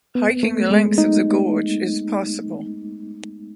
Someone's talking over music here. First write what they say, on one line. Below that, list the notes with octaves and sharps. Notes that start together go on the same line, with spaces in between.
Hiking the length of the gorge is possible.
B3
A3
G#3
D#4